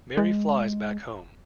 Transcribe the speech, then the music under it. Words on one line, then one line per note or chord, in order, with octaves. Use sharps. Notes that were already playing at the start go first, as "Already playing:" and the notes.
Mary flies back home.
G#3